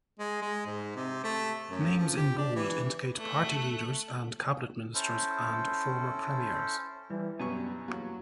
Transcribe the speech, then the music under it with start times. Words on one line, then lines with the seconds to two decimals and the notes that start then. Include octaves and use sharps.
Names in bold indicate party leaders and cabinet ministers and former premiers.
0.19 G#3
0.42 G#3
0.66 G#2
0.96 C3
1.24 A3
1.70 F#2
1.98 F3
2.17 G4
2.38 D4
2.56 E3
3.18 A3 F#6
4.94 C#4 E4 A4 C5
7.10 E3 G3
7.40 F#2 B2 G3 B3 G#5 C#6
7.88 E2 F#3 A#3 F#4